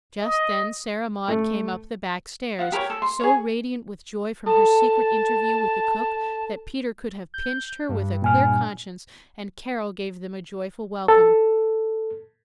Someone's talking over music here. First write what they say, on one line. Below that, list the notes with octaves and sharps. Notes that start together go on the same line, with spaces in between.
Just then Sarah Maud came up the back-stairs, so radiant with joy from her secret interview with the cook, that Peter could have pinched her with a clear conscience, and Carol gave them a joyful welcome.
D#5
A3
F4 F#5
G4 A#4 B4 C#5
A4
C6
G#4 C#5
A4 A5
G6
G2
A#2 G#5 F6
A4